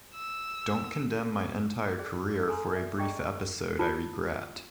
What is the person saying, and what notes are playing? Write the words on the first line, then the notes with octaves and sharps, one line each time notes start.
Don't condemn my entire career for a brief episode I regret.
E6
G#4 C5 D5
G#4 A4 G#5 A#5 C6
C#5 D5 E5
G#4 D5 D#5 G5 A#5 C#6
D5 D#5
F4 A5